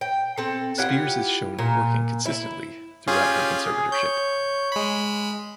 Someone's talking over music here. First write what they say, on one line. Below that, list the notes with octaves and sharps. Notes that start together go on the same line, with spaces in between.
Spears is shown working consistently throughout her conservatorship.
G5
C4 A4
E4 F4 G4 F#5
A#2
E4
C#4 F4 G4 G#4
G#4
C#5 G6
G#3 B5